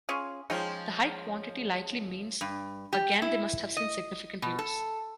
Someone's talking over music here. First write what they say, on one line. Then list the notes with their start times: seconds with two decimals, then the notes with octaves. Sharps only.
The high quantity likely means again they must have seen significant use.
0.09 C#4 F4 G#4
0.50 F3 G#3 C#4 D#4 F4 G5
2.41 G2
2.93 G4
3.22 E4
3.77 D#5
4.42 B2
4.59 A4